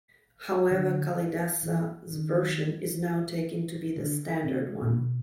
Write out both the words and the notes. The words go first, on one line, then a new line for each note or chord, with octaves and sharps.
However, Kalidasa's version is now taken to be the standard one.
D3
E3
D#3
D3
C3
A#2
B2